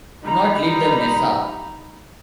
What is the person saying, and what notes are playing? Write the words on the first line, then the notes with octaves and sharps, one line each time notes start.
Do not leave the mesa.
G3 D#4 A#5 B5